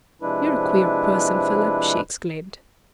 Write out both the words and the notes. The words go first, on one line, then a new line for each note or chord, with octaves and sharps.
"You're a queer person, Philip," she exclaimed.
C3 F3 G#3 D4 E4 B4